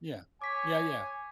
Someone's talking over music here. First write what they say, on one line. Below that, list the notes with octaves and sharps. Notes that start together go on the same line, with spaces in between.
Yeah. Yeah, yeah.
C#5 G#5 D6 B6